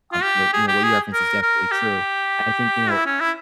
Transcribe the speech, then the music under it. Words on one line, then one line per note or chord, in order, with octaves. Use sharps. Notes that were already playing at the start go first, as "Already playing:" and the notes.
Um, so, you know, what you referenced is definitely true. I think, you know,
F4
G4
G#4
G4
G#4
A#4
A#4
G4
E4
C#4
E4